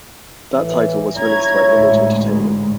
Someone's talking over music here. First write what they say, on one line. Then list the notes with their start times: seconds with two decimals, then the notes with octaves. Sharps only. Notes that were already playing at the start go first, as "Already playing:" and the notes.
That title was released by Image Entertainment.
0.54 A2 E3
1.16 E4 C#5 A#5 G#6
1.74 A1 D2 G#2